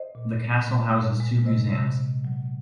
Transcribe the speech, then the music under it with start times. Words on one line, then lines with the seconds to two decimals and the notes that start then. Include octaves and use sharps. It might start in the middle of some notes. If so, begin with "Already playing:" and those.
The castle houses two museums.
Already playing: C5 D#5
0.15 A#2
0.41 A#2
0.68 G#3
0.94 A#2
1.20 G#3
1.46 C3 C5 D#5
1.72 C3
1.98 C3
2.25 F#3